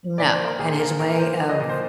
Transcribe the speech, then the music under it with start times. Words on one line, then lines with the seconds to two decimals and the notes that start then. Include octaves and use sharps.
No. And his way of
0.18 A#2 D5
0.32 C5
0.39 A#3
0.45 A#4
0.59 A#2 G#4
0.79 A#3 A#4
0.99 A#2 A#4
1.19 A#3 C5
1.40 F3
1.49 D#5
1.60 A#2 D#5
1.70 C5